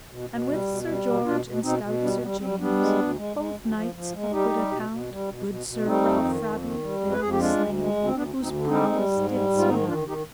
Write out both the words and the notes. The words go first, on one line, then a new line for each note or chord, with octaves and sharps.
And with Sir George and stout Sir James, Both knights of good account, Good Sir Ralph Rabby there was slaine, Whose prowesse did surmount.
B2
B2
G3
B2
G3
B2
B2 D4 F4
B2
B2 C4 D#4
B2
G3 B3 D4
G3 B3
G3 C4
G3 B3 D4
G#3
D2
G#3
G#3
D2
F3
F3
G#3
G3 D#4 G4
G3
B2
B2
G3
B2
B2
B2
G3 C4 D#4
F2
D#3
F2
D#3
G3
F2
B4
F2 G#4
G4
G#3 D4 F4
D2
G#3
D2
C4
D2 B3 D4
D2
C4 D#4
D3
C4 D#4
G#3
G3
G#2
G3
G#2
F4
D#3 C4 D#4
D#3 D4 F4
D#3 D#4 G4